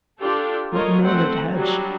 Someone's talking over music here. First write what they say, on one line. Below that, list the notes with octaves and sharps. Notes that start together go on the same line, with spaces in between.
What merit had she?
D4 F4 G4 A4
A3 F4 A#4 C#5 D#5
A3 C4 A4 C5 F#5
F#3 G3 D4